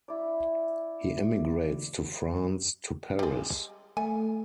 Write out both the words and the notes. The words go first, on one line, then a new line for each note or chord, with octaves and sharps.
He emigrates to France, to Paris.
E4 D5
G3 G#3
A3 G#5